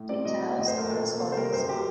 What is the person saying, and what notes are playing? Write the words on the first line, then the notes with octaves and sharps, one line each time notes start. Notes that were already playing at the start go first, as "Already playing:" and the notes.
Details are as follows.
Already playing: A2
C4 D5
F#3 D#5
A2 F#5
F#2 D#5
A3 C5
A#4
A#2 A4
A#3
C3 A4
C5
G3 A#4
F#2 C5
F#3 G4